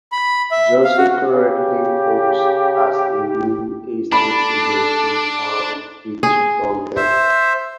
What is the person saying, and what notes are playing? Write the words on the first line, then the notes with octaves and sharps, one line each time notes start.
Johnson currently works as a real estate agent in Palm Beach, Florida.
B5
E5
F5
F#4
C#3 G4
D4 A4 B5
G#4
C5 E5